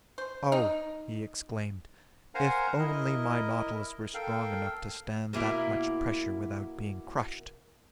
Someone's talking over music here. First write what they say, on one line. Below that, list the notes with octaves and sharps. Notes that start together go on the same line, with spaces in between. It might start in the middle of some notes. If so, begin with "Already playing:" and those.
"Oh," he exclaimed, "if only my Nautilus were strong enough to stand that much pressure without being crushed!"
C5
D#4
A#4 C5 F5 F#5 G#5 A#5
E4 A#4 D#5
A4 A#4 F5 G5
B2 A#3 E4 A#4